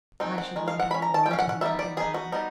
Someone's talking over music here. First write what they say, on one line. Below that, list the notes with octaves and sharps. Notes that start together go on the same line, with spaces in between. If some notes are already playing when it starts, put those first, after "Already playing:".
"I should lay down the law to him--" began Dolly.
D#3 G#3 C4 D#4
F#5
D#3 G#3
F5
F#5
G#3 C#4 B5
A#5
A5
G#3 G5
C#4 F5
F#5
F#5
G3 B3 D#4 E5
D5
G3 B3 D#4 G#4
F#4
G3 B3 D#4